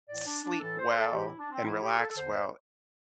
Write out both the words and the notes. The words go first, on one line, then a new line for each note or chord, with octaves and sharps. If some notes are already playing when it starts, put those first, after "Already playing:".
sleep well and relax well
A2 E3 D5
D4
D4
A2 E3 A4
C5
A4
A2 E3 G4
E4
D4
C4
A2 E3 E4
G4
A4
A4
E2 D3 C5